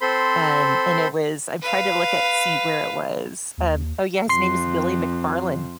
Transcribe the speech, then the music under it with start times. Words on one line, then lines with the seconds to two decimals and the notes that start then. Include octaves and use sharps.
Um, and it was I'm trying to look at, see where it was. Um, oh yeah. His name is Billy McFarlane.
0.01 C4 A4 C5 B5 C6
1.62 B4 F5
3.58 D#2
4.29 F2 C6 C7